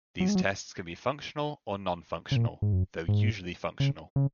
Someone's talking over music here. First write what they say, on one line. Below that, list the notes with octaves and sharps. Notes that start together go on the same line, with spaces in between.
These tests can be functional or non-functional, though usually functional.
F#3
G#3
F#3
C#3
A#2
G#2
F#2
G#2
C#3
C#3